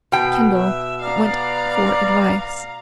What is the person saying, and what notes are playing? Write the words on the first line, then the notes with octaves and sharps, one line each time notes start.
Kendall went for advice.
B2 G5
E5
B3 D5 F5 A#5